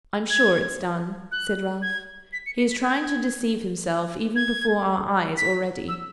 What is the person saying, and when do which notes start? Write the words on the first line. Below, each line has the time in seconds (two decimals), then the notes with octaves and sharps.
'I am sure it's done,' said Ralph. 'He is trying to deceive himself, even before our eyes, already.
0.30 G#6
1.32 F#6
1.82 G#6
2.33 B6
2.46 C#7
2.58 C#7
2.71 B6
2.83 G#6
4.36 G#6
5.37 B6
5.89 E6